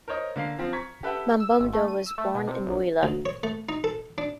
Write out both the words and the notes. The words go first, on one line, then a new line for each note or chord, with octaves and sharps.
Mamboundou was born in Mouila.
A#4 C5 C#5 D#5
D3 A#3 F5 C7
F3 C4 F4
A#5 C#6 G#6 B6
G4 A4 B4 E5 F#5 G5
E6
G#1
A3
D#7
E6
A3
B2
C3
A#1
D2
C#5
A3
D#4
A4
D4